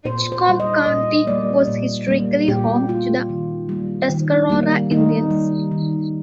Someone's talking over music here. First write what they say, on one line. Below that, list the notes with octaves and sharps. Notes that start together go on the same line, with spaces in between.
Edgecombe County was historically home to the Tuscarora Indians.
A#2 C5
C5
G3 A#3
D#5
A#2 D#5
G3 A#3 D5
A#2
G3 A#3
A#2 G4
G3 A#3 F4
D#3
G3 A#3
D#3
G3 A#3
D#3 D#4
G3 A#3
D#3